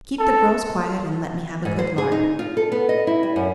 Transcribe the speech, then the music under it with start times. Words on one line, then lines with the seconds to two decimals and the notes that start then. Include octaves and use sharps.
Keep the girls quiet, and let me have a good lark.
0.19 A4
1.65 G#2
1.79 C5
1.98 G#4
2.12 D#4
2.39 F4
2.57 A4
2.72 B3
2.89 D#5
3.07 E4
3.23 G3
3.36 F#2